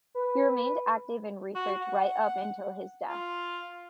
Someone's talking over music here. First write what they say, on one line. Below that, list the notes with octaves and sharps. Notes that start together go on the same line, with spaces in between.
He remained active in research right up until his death.
B4
F#4
F#5
F4